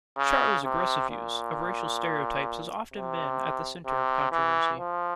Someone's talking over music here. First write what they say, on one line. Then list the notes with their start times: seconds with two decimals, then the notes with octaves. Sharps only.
Charles' aggressive use of racial stereotypes has often been at the center of controversy.
0.18 C#3
0.64 C3
1.10 A#2
2.94 C3
3.86 C3
4.32 E3
4.79 F3